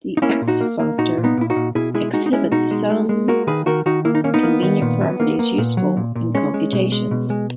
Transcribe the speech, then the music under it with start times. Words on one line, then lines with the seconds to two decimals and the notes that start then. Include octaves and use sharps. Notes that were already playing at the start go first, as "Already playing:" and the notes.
The Ext functor exhibits some convenient properties, useful in computations.
0.17 D#4
0.22 A#3 C#4 E4
0.41 A#2
0.48 D#4 F#4
0.61 A#3
0.80 A#3
0.98 A#2 D#4 F#4
1.18 A#2
1.24 B3 D#4
1.37 A#2 E4
1.50 D#4 F#4
1.56 A#2
1.75 B2 E4 G#4
1.95 G#3 E4 G#4
2.14 G#3 D#4 F#4
2.26 D#4
2.33 G#3 C#4 E4
2.52 B2 D#4 F#4
2.71 G#3
2.90 G#3
3.09 G#3
3.28 A#3 F#4 A#4
3.47 D#3 G#4 B4
3.66 D#3 F#4 A#4
3.86 D#3 D#4 F#4
4.05 A#3 E4
4.15 D#4
4.24 A#3 C#4
4.34 B3 D#4
4.43 A#3
4.62 D#3
4.82 A#2
5.01 F#3
5.20 A#3
5.39 A#3
5.58 A#2
5.77 F#3
5.97 A#2
6.15 A#2
6.35 G#3 C#4
6.54 G#3
6.73 B2
6.92 G#3
7.11 B2
7.30 G#3